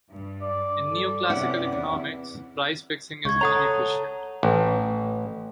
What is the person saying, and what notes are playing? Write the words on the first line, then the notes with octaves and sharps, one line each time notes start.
In neo-classical economics, price fixing is inefficient.
G2
D5
G3 A4
C3 B3 C#4 E4 F#5
E2 E4
C#2 C#6 G#6
A4 C#5 F#5 A#5 D#6
A1